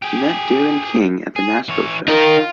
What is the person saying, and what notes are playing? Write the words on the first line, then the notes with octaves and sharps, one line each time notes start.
He met Darren King at the Nashville show.
G4 G#4
G#4
E3 C#5
D#4 F4 A#4